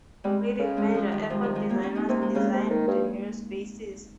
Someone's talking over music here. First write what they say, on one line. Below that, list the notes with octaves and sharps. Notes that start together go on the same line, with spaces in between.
Leading major airport designers designed the new spaces.
G3 G#3 C4
C#3
G#3 C4
F3 G#3
D#3 G3
C3 F3 G#3
D#3 G3
F3 G#3
G3 A#3
A#3 C#4
C4 D#4
C3 A#3 C#4
G#3 C4
C#3 G#3 C4
C3
D#3
G2